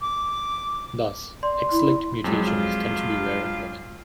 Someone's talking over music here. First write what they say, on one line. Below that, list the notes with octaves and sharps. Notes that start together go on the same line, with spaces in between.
Thus, X-linked mutations tend to be rare in women.
D6
D5 C6
E4
F2 F#3 G#3
F4